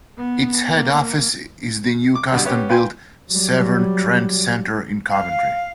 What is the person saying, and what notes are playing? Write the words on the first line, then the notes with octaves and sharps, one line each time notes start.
Its head office is the new custom-built "Severn Trent Centre" in Coventry.
B3
A#3
D6
G2 B2 D3 G3
B3 C#4 G4
F4 B4 G5 G#5 C6
F#3 G3
F5